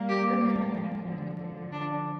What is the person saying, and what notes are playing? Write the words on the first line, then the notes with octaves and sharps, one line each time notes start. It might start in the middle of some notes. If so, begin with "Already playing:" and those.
The book is not yet translated into English.
Already playing: G3 A#3
G4
G3 A#3
F3 G#3
D3 F3
D3 F3
D4